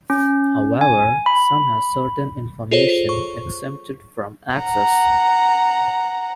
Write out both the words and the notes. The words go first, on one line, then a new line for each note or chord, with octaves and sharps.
However some have certain information exempted from access.
C#4
G#5
B5
F4 G#4 A4 C5 C#5
C#6
F#5 A#5